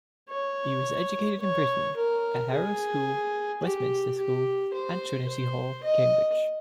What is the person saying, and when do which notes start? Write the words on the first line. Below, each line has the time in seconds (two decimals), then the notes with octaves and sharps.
He was educated in Britain, at Harrow School, Westminster School, and Trinity Hall, Cambridge.
0.30 C#5
1.41 C#5
1.97 A#4
2.52 G#4
3.63 G4
4.18 G4
4.73 C5
5.28 C5
5.84 D#5